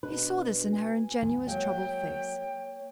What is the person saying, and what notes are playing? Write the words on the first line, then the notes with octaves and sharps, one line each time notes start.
He saw this in her ingenuous troubled face.
B2 D4 B4
G#5
D#2 A2
F#3 G#3 A#3 C#5 G5